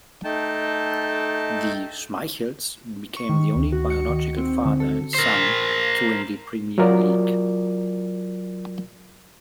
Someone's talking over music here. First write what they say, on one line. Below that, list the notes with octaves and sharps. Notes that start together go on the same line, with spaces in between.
The Schmeichels became the only biological father and son to win the Premier League.
A3 D#4 G5 A5
C#6
D#3
D2
F#4
C#7
D#3
C4
D3
A4
A#4 C5
F#3 F4 A#4 D5